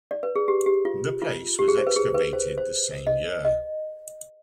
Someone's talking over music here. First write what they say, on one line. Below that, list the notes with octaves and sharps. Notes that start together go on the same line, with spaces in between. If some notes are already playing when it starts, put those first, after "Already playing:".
The place was excavated the same year.
D5
B4
G#4
G4
G4
F4
F4
G4
G#4
C5
B4
G#4
B4
C5
C5
D#5
D#5